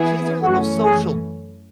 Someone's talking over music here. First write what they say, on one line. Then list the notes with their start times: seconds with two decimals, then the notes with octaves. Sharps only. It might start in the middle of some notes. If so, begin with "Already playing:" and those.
kids are little social
Already playing: E3 B3 E4 G#4
0.42 F#2 E3 A3 C#4 F#4
0.82 G#4